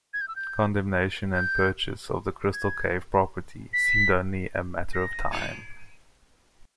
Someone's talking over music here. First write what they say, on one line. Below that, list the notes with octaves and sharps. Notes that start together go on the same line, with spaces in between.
Condemnation and purchase of the Crystal Cave property seemed only a matter of time.
G#6
G6
E6
G6
G6
G#6
B6
A#6